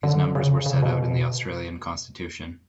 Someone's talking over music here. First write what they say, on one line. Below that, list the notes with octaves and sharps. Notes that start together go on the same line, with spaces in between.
These numbers were set out in the Australian Constitution.
D3
C#3
C#3
B2